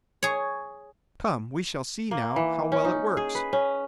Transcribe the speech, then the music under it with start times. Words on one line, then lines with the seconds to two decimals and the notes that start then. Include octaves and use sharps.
"Come, we shall see now how well it works."
0.23 G#4 C#5
2.11 A#3
2.36 E3
2.72 C#4
2.85 D#4
3.17 G#4
3.35 B4
3.53 C#4